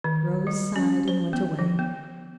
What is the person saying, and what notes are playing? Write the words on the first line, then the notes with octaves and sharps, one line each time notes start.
Rose sighed, and went away.
D#3
G3
C#4
C5
B3
F3
B3